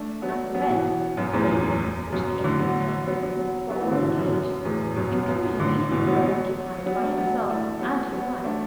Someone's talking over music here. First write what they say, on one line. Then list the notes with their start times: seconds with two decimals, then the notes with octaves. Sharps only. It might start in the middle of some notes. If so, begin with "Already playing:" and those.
As for beds, the few rooms which the inn contained were all engaged; including even the room occupied by himself and his wife.
Already playing: A3 D4
0.22 F#3 B3
0.54 F#3 B3
0.70 B2 E3
1.17 F#2 B2
1.33 E2 A2
1.43 F#2
1.49 E2
2.12 F#2 B2
2.44 A2 D3
2.59 F#3 B3
3.07 F#3 B3
3.23 F#3 B3
3.39 F#3 B3
3.70 F#3 B3
3.80 E3 A3
3.91 D3 F#3
4.02 B2 E3
4.18 F#2 B2
4.33 F#2
4.65 E2 A2
4.96 F#2 B2
5.12 F#2 B2
5.28 F#2 B2
5.60 A2 D3
5.91 B2 E3
6.07 F#3 B3
6.22 F#3 B3
6.86 F#3 B3
7.01 A3 D4
7.17 F#3 B3
7.49 E3 A3
7.80 F#3 B3
8.12 F#3 B3
8.44 A3 D4